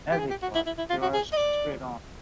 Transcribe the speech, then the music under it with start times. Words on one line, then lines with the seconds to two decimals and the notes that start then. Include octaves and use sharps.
As it was, he rushed straight on.
0.12 G4
0.19 G#4
0.30 G4
0.42 F#4
0.54 E4
0.66 E4
0.78 E4
0.90 F4
1.02 F#4
1.13 G#4
1.32 D#5
1.37 D5